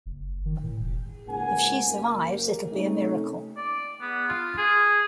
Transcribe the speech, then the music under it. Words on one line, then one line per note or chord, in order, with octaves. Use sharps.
If she survives, it'll be a miracle.
F#1
D#3
A2
E1
C#2 G#2 A#3 F#5 G#5
F#1 A#3
C3 A3 A#3 C#4 D#4
D5
B3
F4
G#4